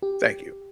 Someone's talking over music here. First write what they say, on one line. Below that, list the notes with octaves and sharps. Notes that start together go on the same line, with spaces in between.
Thank you.
G4